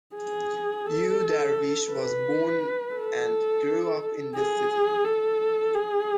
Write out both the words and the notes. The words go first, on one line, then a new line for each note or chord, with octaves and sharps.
Yu Darvish was born and grew up in this city.
G#4
A4
B4
A4
G#4
A4
G#4